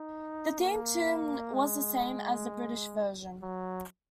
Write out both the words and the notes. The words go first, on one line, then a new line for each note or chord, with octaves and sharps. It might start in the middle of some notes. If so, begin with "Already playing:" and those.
The theme tune was the same as the British version.
Already playing: D#4
A#3
G#3
F#3